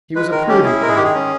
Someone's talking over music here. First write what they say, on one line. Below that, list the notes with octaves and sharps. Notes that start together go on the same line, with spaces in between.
He was a prudent man.
G#3 B4
D#3 A#4
C#4 G4
E4 G#4
G#3 A#4
G#4
D#3 G4
G#4
C#4